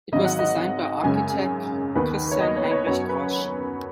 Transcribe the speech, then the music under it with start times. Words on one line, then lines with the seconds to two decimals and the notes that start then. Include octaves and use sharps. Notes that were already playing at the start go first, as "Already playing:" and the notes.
It was designed by architect Christian Heinrich Grosch.
0.12 G#1 G#2 D#3 F#3 D#5
0.25 F#5
0.39 D#5
1.03 F#2 C#3 G#3 G#5
1.95 D#2 D#3 B3 B4
2.31 C#5
2.40 D#5
2.56 C#5
2.65 B4
2.71 C#5
2.87 F#2 F#3 B3 C#5
3.09 B4